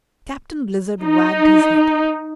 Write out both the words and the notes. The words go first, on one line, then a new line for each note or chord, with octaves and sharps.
Captain Blizzard wagged his head.
D#4